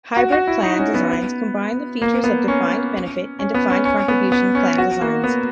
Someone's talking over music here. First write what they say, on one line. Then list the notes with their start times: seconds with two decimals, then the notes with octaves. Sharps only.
Hybrid plan designs combine the features of defined benefit and defined contribution plan designs.
0.17 F#4
0.32 F#4
0.47 E4
0.63 D#4
0.79 C#4
0.94 B3
2.02 A#3
2.24 B3
2.48 C#4
3.39 C#4
3.54 B3
3.70 C#4
3.85 C#4
4.08 B3
4.32 B3
4.55 C#4
4.78 F#4
5.01 A#3
5.24 B3